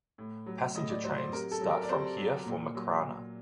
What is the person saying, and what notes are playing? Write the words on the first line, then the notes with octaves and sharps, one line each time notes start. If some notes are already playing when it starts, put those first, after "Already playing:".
Passenger trains start from here for Makrana.
A2
F#3
A2 D#5
D5
F#3 C5
C5
C3 A#4
A4
F#3
A#4
D5
C3 C5
F#3
A#2
F#3
A#2